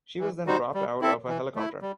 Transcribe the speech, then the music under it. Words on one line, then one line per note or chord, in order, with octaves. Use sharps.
She was then dropped out of a helicopter.
E3
G3 D#4 F#4 C5
G3
C4 E4 A4 E5
E3
A3 E4
G3